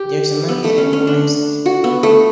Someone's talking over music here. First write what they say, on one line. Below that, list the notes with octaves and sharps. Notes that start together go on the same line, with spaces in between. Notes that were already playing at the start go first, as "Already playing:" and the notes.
There is a market every Wednesday.
Already playing: G4
B3
A3
C#4
C#4
D4
F#4
B3
A3